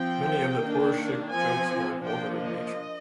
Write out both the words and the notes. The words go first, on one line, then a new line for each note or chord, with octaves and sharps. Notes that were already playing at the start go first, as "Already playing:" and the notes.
Many of the Poruchik jokes are vulgar in nature.
Already playing: F3 C4 G5
D#3 A#3 D4
F3 C4 G#5
F3 A#3 D4 G5
D#5